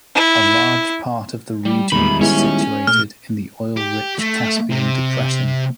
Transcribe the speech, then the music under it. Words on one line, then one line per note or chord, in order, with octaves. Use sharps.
A large part of the region is situated in the oil-rich Caspian Depression.
E4
G3
E2 D#3 G3 G#3 B3 B5
G#3 B3 C#4 E4
A#2 A3 F6
G4
A3
C3